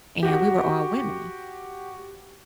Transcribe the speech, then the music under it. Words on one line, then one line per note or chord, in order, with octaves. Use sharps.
and we were all women,
F#4 G4